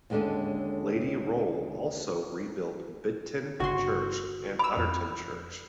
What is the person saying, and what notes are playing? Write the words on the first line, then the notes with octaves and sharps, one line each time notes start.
Lady Rolle also rebuilt Bicton Church and Otterton Church.
D#2 D3 G#3 C#4 D4 A4
G1 C#3 F#4 C6
B5 D6 E6
F2